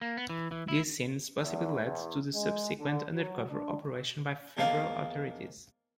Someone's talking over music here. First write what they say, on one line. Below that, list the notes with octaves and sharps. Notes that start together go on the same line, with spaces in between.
These scenes possibly led to the subsequent undercover operation by federal authorities.
A#3
B3
E3
E3
E4
E2
E2
G#3
D3
F#3
D4
E2 D#3 F3 A#3 A4 F5